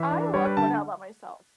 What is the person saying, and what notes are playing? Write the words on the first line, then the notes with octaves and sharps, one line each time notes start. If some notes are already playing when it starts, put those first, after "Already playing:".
I love going out by myself.
Already playing: E3 E5
D4
G3 C#5
B4
D3 A5